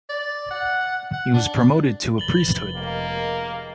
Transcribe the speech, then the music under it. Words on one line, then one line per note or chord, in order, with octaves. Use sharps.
He was promoted to a priesthood.
D5
F#5
F#5
D4
F1 B4 A6 F#7 G7
D#3 G#3 A#3
G#3 G4